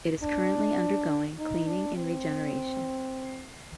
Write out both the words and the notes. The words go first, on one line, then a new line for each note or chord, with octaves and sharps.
It is currently undergoing cleaning and regeneration.
D4
D#4
D4
C4